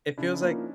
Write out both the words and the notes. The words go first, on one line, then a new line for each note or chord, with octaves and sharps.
It feels like
C#3 D4 E4
D4 E4
F3 A#3
C#4 D#4